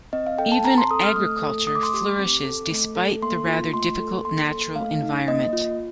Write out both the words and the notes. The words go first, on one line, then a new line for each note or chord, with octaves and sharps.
Even agriculture flourishes despite the rather difficult natural environment.
C4 D#5
F5
A4 G5
A5
C4 A#5
C6
A4 D#6
F6
A3 D#6
A4
A3 D#6
D6
C6
G4 D6
C4
A4
A3
A4
A#3 C6
F4
A3 C6
A4
A#3 C6
A4
A3 F5
D#4
A#3 D#5
F4